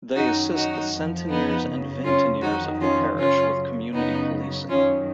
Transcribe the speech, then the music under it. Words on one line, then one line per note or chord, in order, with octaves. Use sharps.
They assist the Centeniers and vingteniers of the parish with community policing.
F#2 D#3 F#3 D#4 F#4
D#4 F#4
F2 F3
B3 D#4
F#2 C#3 F#3
C#4 F4
F2 D#3 F#3 D#4 F#4
C#4 F4
F#2 C#3 F#3 C#4 F4
F#2 C#3 F#3 B3 D#4
F#2 D#3 F#3 C#4 F4